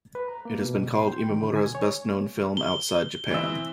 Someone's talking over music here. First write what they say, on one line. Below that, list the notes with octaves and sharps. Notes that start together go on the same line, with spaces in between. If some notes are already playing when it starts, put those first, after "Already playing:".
It has been called Imamura's best-known film outside Japan.
B4
A#5
A#3
B2
C6
G5
D#3
D3
G#5
C#5
G7
E3 C4 E6